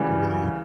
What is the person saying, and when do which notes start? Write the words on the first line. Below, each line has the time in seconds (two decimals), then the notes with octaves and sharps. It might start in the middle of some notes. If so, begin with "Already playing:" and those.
It really is.
Already playing: D2 C#3 E3 G3